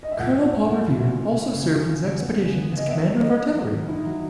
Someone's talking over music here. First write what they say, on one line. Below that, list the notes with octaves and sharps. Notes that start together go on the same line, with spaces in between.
Colonel Paul Revere also served in this expedition as commander of artillery.
D#5
E5
A#2 F#5
A#2
E4
E4
A#2
C#4
E4
C#4
C#3
C#3
C#3
C#3
B3
C#3
B3
C#3
D#5
B3 E5
B3
E4 D#5
B3
F#3
D#3
D#4 E4
F#3